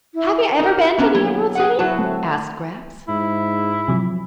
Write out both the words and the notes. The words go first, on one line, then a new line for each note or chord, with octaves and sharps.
"Have you ever been to the Emerald City?" asked Scraps.
E4
D#4 A#4
B3 C#4 D4 A#5
F#3 A#3 E4
G#4 B4 F#5
F#3 E4 F#4 A5
A3 C4
G#2 E4
C3 F3 F#3